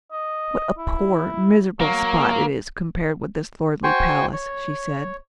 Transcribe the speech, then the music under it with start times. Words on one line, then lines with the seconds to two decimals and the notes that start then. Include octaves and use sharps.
"What a poor, miserable spot it is compared with this lordly palace!" she said.
0.12 D#5
0.78 E4
1.80 F#3 A#3
3.84 F#4 C5 G5 G#5 C6 C#6
4.33 C#5